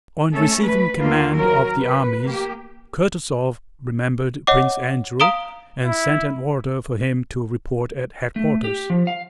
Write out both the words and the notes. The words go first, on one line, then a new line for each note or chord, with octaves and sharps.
On receiving command of the armies Kutuzov remembered Prince Andrew and sent an order for him to report at headquarters.
A3 C#4 A4
B4
D#2 A#3 F4
F#3 A#4
B4
A#3 G4
C#5 D#5 F#5 D6
F5 A#5 D#6 D7 E7 G7
E4
A3
G4
F3
F5